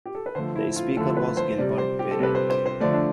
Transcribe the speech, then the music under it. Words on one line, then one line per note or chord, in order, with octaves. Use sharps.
The Speaker was Gilbert Parent.
G4
A4
B4
D3 F3 A3 C5
E4
F4
D3 F3 A3 A4
B4
C5
C3 G3 D5
C5
G4
A4
C3 G3 B4
C5
C5
C5
D3 F3 A3 D5
D4